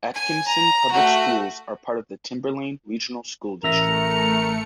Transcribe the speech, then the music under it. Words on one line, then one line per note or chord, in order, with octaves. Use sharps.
Atkinson Public Schools are part of the Timberlane Regional School District.
G#5
A#5
A3 F#4
A1 A3 A#4 E5 A#6 C#7 F7